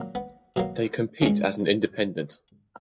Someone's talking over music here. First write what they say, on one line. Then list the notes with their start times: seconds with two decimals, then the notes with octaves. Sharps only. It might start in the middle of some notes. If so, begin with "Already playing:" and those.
They compete as an independent.
Already playing: A#2 F#3 A#3
0.15 B3
0.56 B2 F#3 A#3
1.22 B2 G#3 C#4